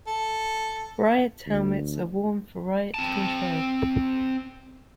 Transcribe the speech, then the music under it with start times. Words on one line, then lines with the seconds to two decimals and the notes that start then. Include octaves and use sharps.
Riot helmets are worn for riot control.
0.07 A4
1.46 D2
2.94 C4 A5